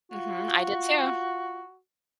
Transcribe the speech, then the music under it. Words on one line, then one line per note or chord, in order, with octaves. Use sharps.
Mhm. I did too.
F4 F#4